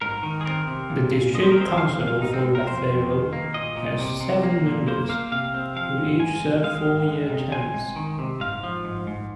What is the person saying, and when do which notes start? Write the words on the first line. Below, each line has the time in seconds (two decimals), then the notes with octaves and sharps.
The district council for Lat Phrao has seven members, who each serve four-year terms.
0.01 G#2 A#4
0.23 D#3
0.41 G#4
0.45 C4 A#4
0.67 C3
0.90 A#2
1.11 A#2
1.34 F3 D#5
1.43 C5
1.52 A#4
1.56 C4 C5
1.78 F2 F5
2.00 F2
2.08 F5
2.22 G#2 D#4
2.34 C4
2.45 G#2
2.55 A#4
2.67 F2 C5
2.89 F2
3.11 D#3
3.33 A#3
3.54 A#2 D#5
3.77 A#2
3.99 C3
4.21 C3
4.43 A#3
4.66 A#2
4.88 A#3 C5
5.09 A#3 F5
5.31 C3 F5
5.54 C4
5.76 F3 F5
5.98 G#2
6.20 G#3 G#5
6.42 C3
6.64 G#3 F5
6.86 G#2
7.08 G#3
7.30 C3
7.52 C4 G#5
7.74 G#3
7.96 D#3
8.19 C3
8.40 G#2 F5
8.63 F3
8.85 G#2
9.07 G#2